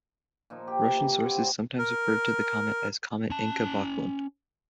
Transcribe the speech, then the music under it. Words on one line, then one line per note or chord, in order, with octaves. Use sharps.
Russian sources sometimes referred to the comet as Comet Encke-Backlund.
A#2 F3 D#4
G4
C3 E3
C4 E4 C#5 F#5
D5 A5 A#5
A#4
C#4 A5